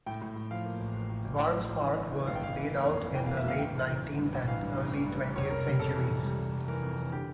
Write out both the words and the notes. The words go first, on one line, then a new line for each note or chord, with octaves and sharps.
Barnes Park was laid out in the late nineteenth and early twentieth centuries.
A2 G5
A2
A2
F3 F5
A#3
A1
A1
A1
A1
A2 G5
F3
A1
E3
G1
E3
G1 F5
G5
G1 F5
E3
A#3
F2
E3
E3 G5
A#3 F5
E5
G1 F5
A1 G5
E3
A1
A1
G2
A1
E3 F5
G2
A1
A1
G2
G2
F1 C#5
F1 A#4
G3
F2 A4
E3
E3
G3
F1
G3
E3 A#4
F2
E3
D3 G4